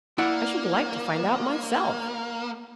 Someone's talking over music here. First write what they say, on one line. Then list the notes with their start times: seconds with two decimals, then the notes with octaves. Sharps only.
"I should like to find out myself."
0.18 A#3 E4 D5 F#5